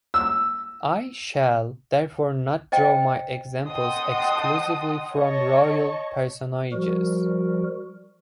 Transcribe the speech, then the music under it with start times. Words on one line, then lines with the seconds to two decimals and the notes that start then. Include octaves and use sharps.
I shall therefore not draw my examples exclusively from royal personages.
0.14 E6
2.72 C5 D#5 G5
3.69 D#5 F#5 G5 A5 C6 D#6
5.14 C#5 D#5 A5 C#6
6.72 F3 G3 F#4 A#4